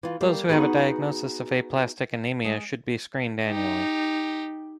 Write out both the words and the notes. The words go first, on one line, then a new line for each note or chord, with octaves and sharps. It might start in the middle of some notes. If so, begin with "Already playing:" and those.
Those who have a diagnosis of aplastic anemia should be screened annually.
E3 F4
G3 A#3
B3 D#4 F#4 G#4 B4
G#3
D#4 G4